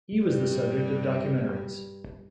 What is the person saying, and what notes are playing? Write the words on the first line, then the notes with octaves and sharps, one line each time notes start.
He was the subject of documentaries.
G2 G3